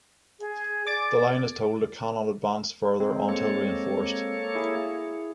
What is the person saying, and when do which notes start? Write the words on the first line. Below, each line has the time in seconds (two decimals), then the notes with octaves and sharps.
The line is told it cannot advance further until reinforced.
0.40 G#4
0.87 D5 D6 A6 D7
3.00 G#3 C4
3.29 A#3 A4 C#5
4.55 E4 G#4